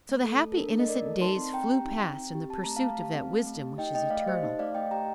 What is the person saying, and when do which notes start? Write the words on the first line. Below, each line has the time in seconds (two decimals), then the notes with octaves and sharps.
So the happy innocent days flew past in the pursuit of that wisdom which is eternal.
0.09 A3
0.24 A3 A4
0.41 A4
0.52 A4
0.57 D4 A#4
0.74 A3
0.79 D#5
0.89 A3 A#4 D5
1.06 A4
1.21 D#4 A5 C6
1.37 C4
1.53 C4 G5 A#5
1.69 G4
1.85 D#4
2.02 C4
2.19 C4
2.35 G4
2.50 C4 A5
2.64 A3 A#5
2.76 F5 A5
2.82 A3
2.99 G4
3.14 C4
3.30 A3
3.46 A3
3.62 G4
3.78 D#4 D#5 G5
3.95 A3 D#5 G5
4.10 A3 D5 F5
4.26 G4 C5 D#5
4.43 D#4
4.59 A3 D5 F5
4.75 A3 D#5 G5
4.91 G4 G5 A#5